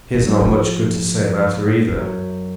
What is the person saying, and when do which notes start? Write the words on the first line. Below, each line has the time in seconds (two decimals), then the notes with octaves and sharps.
"He has not much good to say about her either."
0.14 F3
0.27 F#3
0.41 F3
1.88 F2
1.97 F#2